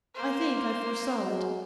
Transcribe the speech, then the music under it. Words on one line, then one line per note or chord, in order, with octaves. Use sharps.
I think I foresaw it.
A#3 C5
F#3 G#3